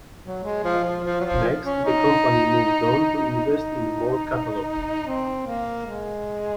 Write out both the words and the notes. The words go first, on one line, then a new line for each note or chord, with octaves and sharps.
Next, the company moved on to invest in more catalogs.
F#3
G#3
F3
F3
F3
F#3
F3
C#4
D#4
D#4
C4
A#3
G#3